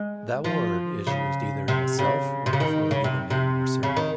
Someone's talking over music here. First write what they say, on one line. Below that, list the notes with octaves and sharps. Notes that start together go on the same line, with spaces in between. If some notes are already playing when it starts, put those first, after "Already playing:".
That word is used either in itself or before the given name or surname.
Already playing: G#3
F3
C#3
C3
C#3
C3
C#3
D#3
C#3
C3
C3
C#3
D#3